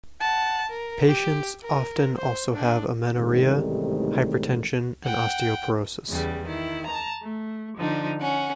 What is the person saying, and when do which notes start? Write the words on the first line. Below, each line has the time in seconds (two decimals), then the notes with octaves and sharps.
Patients often also have amenorrhoea, hypertension and osteoporosis.
0.21 F#5 A5
0.69 A#4
1.07 G4
1.62 A#4
2.17 C5
2.53 D4
3.17 A1 G#2 C3 D#3 G3 A3
5.04 F#5 G5
6.09 E2 C#3 G3
6.46 D#3 E4
6.86 A5 A#5
7.22 A3
7.78 D3 F3 D4 D#4
8.20 C#4 F#5